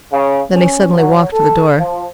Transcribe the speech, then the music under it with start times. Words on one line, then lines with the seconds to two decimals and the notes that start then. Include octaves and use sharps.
Then he suddenly walked to the door.
0.12 C#3
0.53 C#4
0.94 F#3
1.32 A4
1.79 F3